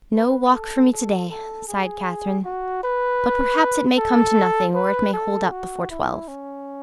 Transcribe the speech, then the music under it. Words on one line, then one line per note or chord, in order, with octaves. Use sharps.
"No walk for me today," sighed Catherine; "but perhaps it may come to nothing, or it may hold up before twelve."
B4
A4
A4
A4
G#4
F#4
B4
A4
B4
A4
F#4
E4
C#4